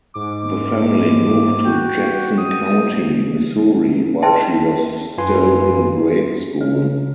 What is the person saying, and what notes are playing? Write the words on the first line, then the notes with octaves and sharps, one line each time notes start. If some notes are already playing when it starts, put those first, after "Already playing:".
The family moved to Jackson County, Missouri while she was still in grade school.
G#2 D6
F#4 G5
D#6
D#5 E5 G5 A5 C6
F#2 F4 B4 G#5 C6
C#3